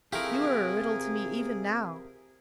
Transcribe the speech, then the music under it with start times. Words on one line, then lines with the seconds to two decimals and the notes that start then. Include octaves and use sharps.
You are a riddle to me even now.
0.13 C3 F3 A3 E4 G4 G#4 A#4